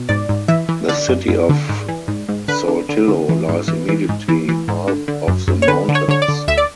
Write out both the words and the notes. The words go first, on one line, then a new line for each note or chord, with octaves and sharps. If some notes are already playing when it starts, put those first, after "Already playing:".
The city of Saltillo lies immediately north of the mountains.
Already playing: B2
G#2 D5
G#2
E3 E5
E3
D3 D5
F#2
F#2
D3
G#2
E3
G#2
G#2
D3 B4
D3
D3
D3
E3
G#2
E3
E3
G#2
E3
E3
G#2
D3
D3
F#2
F#2
C#5
D3 B4
D3
C#5
D3 C#5
D5
D3
D2 E5
D5